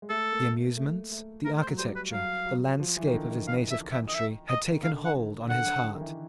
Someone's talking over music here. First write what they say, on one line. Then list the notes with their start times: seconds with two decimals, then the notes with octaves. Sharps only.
The amusements, the architecture, the landscape of his native country, had taken hold on his heart.
0.02 G#3
0.10 A3 A4
0.32 A#3
0.77 A3
1.12 A3
1.45 A3 A#4
1.62 C5
1.68 F#3
1.78 G3 C5
1.96 B4
2.12 F#3 F5
2.46 F#3
2.80 F3
2.96 E3
3.07 D#3
3.13 D3
3.30 D#3
3.47 F5
3.70 E5
3.92 E5
4.08 D#5
4.15 E5
4.49 D#5
4.72 D#3
4.83 D3 F5
5.05 F#5
5.16 D3
5.50 D3 F#5
5.66 D3
5.84 D3
5.95 D#3
6.01 E3